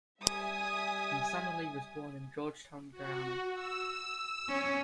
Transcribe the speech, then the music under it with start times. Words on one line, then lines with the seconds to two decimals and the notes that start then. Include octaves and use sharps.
Insanally was born in Georgetown, Guyana.
0.22 G3 E5 G#5 D#6
2.91 F#4
3.52 E6
4.49 C#4